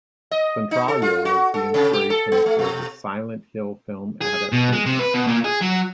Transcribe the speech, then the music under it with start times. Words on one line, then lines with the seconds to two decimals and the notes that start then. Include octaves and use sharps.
Centralia was the inspiration for the "Silent Hill" film adaptation.
0.31 D#5
0.71 D#4
0.88 A4
1.02 F4
1.25 F#4
1.54 A4
1.74 C3
1.93 G4
2.10 A4
2.32 B3
2.46 A3
2.59 B2
4.22 G#4
4.52 B2
4.73 G#3
4.86 C3
4.99 B4
5.14 B2
5.27 A#2
5.44 G#4
5.61 F#3